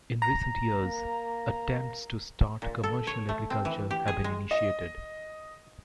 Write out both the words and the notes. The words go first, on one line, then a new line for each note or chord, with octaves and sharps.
In recent years, attempts to start commercial agriculture have been initiated.
A#5
A#3
A#2
A4
C#5
A3
C4
E3
G4
G#4
G#3
D#5